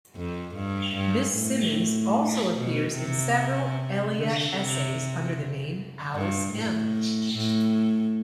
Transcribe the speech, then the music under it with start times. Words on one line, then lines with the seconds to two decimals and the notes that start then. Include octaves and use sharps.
Miss Simmons also appears in several Elia essays under the name "Alice M".
0.15 F2
0.56 G2
0.96 G2
1.35 A2
2.55 B2
2.96 C3
4.15 D3
4.54 C3
6.15 G2
6.54 A2
7.34 A2